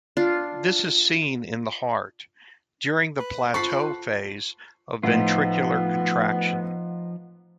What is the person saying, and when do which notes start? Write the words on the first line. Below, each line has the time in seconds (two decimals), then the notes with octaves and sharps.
This is seen in the heart, during the plateau phase of ventricular contraction.
0.17 D4 F4
3.20 B4
3.54 F4 A4 C5 F#5 B5 C#6 C7
5.03 A2 F3 B3 D#4 F4